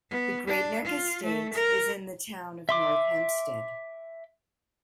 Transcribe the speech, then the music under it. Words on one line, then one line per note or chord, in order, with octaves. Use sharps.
The Great Neck Estates is in the Town of North Hempstead.
B3
D4
F4
A3
A#4
E5 C6 D6